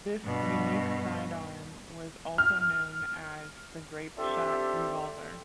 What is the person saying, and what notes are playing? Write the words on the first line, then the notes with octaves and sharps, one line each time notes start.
This unique sidearm was also known as the Grape Shot Revolver.
G2 B2
F6
C4 D4 F4 G4 A4 E5